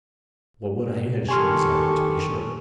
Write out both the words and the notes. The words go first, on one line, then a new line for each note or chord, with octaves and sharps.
Well, what a hand she is at it, to be sure!'
D#3 G4 A4 G#5 A5 C6 C#6 F6